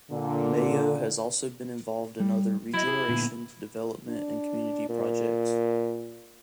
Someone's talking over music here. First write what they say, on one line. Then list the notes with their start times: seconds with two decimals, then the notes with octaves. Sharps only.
Mayo has also been involved in other regeneration, development and community projects.
0.12 A#2 D3
2.20 G3
2.74 F#3 E4 D#5
2.87 G4 G#4
3.09 A#2 D3 B3
4.09 D4
4.89 A#2